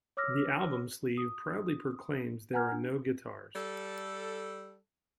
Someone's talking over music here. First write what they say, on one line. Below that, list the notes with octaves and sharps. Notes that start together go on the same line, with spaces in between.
The album sleeve proudly proclaims There are no guitars.
C#5 D6 E6 F6 A#6
D#6
F#5 G#5 A#5 F6 G#6
D4
G3 A4